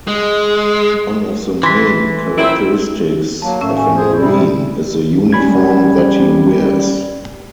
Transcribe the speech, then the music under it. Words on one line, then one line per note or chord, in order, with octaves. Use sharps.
One of the main characteristics of a marine is the uniform that he wears.
G#3
E3 C6 B6
A#2 C4 E4 D7
F#3 A#3 A5
A2 A3 C#4 E6
G#5 C#6
G#4 C5
C3 G3 E4
G3 C#4 B5 G#6